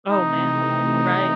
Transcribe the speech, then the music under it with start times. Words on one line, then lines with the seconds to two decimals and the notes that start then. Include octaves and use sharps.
Oh, man. Right.
0.10 C3 E3 A3 C4 D#4